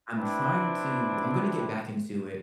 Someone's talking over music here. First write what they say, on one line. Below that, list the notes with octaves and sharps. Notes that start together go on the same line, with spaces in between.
I'm trying to I'm gonna get back into it,
C4 D4 E4 B4